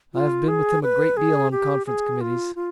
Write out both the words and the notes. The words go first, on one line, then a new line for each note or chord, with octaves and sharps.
I have been with him a great deal on conference committees.
F4
G#4
B4
G#4
G4
G#4
F4
F4